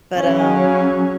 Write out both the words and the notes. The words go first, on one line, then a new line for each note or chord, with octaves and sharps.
but, um
C#3 F#3 C#4